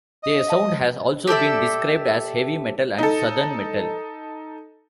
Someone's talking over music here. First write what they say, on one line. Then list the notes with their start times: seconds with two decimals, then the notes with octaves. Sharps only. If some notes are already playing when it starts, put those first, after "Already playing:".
Their sound has also been described as heavy metal and Southern metal.
0.23 D#5
0.47 E5 F5 A5
1.27 G4 A4 D5 E5
2.99 D#4 A4